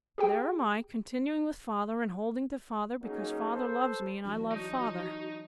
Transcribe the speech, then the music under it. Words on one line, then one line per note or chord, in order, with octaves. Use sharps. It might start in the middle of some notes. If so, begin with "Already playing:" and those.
There am I, continuing with father and holding to father, because father loves me and I love father.
G4 G#4 G5
F#3 A#3 C#4 D#4 G#4
A4 B4 C5
E3 F#3 D4 F#4
D#4 D#5